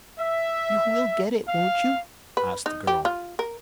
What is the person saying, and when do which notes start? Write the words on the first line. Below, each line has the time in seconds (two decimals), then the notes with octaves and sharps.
"You will get it, won't you?" asked the girl.
0.20 E5
1.49 F5
2.37 B4
2.66 D#4
2.87 G4
3.05 F4
3.39 A#4